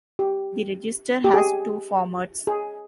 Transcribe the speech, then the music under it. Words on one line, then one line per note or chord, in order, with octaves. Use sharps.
The register has two formats.
G4
G4
G#4
G#4